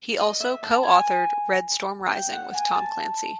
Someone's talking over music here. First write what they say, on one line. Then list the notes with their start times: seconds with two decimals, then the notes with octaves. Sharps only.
He also co-authored "Red Storm Rising" with Tom Clancy.
0.20 D#5
0.40 E5
0.63 A5
0.83 G#5
2.11 G5
2.32 F#5
2.54 G#5
2.74 A5